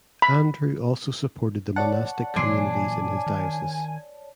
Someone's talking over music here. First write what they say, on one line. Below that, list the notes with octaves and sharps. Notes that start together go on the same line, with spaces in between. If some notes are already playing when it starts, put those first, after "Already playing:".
Andrew also supported the monastic communities in his diocese.
B5
C#5 D5 F#5 A5
A#2 E3 F#3 D4 G#5 C6
D#3